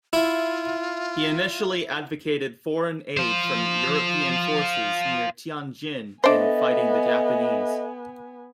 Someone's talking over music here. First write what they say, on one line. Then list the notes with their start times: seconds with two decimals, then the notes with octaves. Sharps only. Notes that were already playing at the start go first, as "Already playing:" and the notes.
He initially advocated foreign aid from European forces near Tianjin in fighting the Japanese.
0.13 E4 F4
3.17 F4 C5
6.24 B3 D4 A4 C5 D#5 E5 G#5